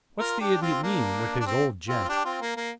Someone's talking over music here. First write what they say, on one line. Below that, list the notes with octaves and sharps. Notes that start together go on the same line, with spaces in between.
'What's the idiot mean!--with his old gent!
F4 A#4
D4 G4
C4 F4
A#3 D4
D4
C4
C4 F4
F4
D4 G4
C4 F4
A#3
A#3